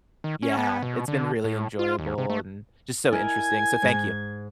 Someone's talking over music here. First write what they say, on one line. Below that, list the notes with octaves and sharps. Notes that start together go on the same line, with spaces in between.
yeah. It's been really enjoyable and just so interesting, so, thank you.
D#3
C#4
B3
B2
D3
A2
F4
D#2
C3
A3
E4 A#4 D#5 G#5 G#6
G#2